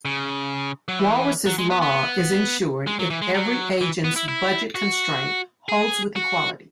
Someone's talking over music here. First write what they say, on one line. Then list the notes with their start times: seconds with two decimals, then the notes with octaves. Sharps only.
Walras's law is ensured if every agent's budget constraint holds with equality.
0.05 C#3
0.88 F#3
0.99 E3
1.46 F#3
1.58 G#3
1.70 B3
1.82 B3
2.87 G#3
2.99 F#3
3.10 E3
3.22 G#3
3.34 F#3
3.81 E3
4.04 B3
4.16 E4
4.28 E4
4.75 F#4
5.69 G#4
6.16 F#4